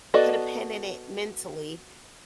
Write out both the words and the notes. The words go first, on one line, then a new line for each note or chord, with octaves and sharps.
put a pin in it, mentally,
B3 F#4 A4 D5 D#5